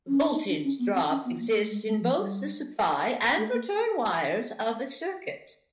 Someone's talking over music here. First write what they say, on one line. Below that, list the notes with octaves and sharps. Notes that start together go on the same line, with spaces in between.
Voltage drop exists in both the supply and return wires of a circuit.
C#4
D4
D#4
D4
C#4
B3
C4
C#4
B3
A#3
A3
G#3
G#3
F3
G3
A3
A#3